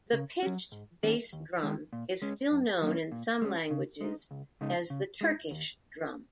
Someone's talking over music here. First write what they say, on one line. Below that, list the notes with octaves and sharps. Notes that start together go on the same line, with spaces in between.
The pitched bass drum is still known in some languages as the Turkish Drum.
C#3
F#3 C#4
G#2
D#3 A#3 C#4
D#2
D#3 G#3
A#2
G#3 C#4
F#2
F#3 A#3 C#4
A#2
G#3 C#4
C#3
G#3 D#4
C#2
C#3 G#3 D#4
C#3
G#3 D#4
D#2